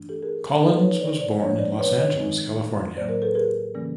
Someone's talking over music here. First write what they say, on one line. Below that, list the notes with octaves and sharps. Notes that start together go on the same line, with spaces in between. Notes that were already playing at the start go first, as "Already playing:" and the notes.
Collins was born in Los Angeles, California.
Already playing: G2 E3 A3 D4
G4 A4
G#4 A#4
D3 F3 A#3 D#4 A4 B4
B4 C#5
C5 D5
C5 D5
G#2 F3 A#3 D4 C#5 D#5
C5 D5
B4 C#5
C#5 D#5
G2 D#3 G#3 C4 D#4
A2 F#3 A#3 C5 D5
A#4 C5
A4 B4
G#4 A#4
C#3 E3 G3 A#3 C#4